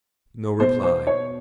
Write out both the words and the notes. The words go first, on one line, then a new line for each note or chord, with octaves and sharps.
No reply.
B2 C5
C5
C#5